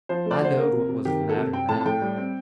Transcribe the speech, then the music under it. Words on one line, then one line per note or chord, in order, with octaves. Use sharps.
I knowed what was the matter now.
F3 C5
A3 D5
D3 C5
A#3 A#4
C3
C3
D#3 G4
A#3
A4
C3
C4 G5
A2 A5
A5
A2 G5
G3
C4